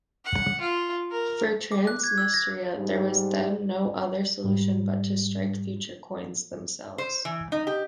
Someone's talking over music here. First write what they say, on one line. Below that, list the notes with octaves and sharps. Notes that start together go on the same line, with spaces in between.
For Transnistria there was then no other solution but to strike future coins themselves.
F#5
F4
A#4
D6
F#6
G#6
E6
A#6
G#2 G3
G#2 G3
C5
E3
D#4
G4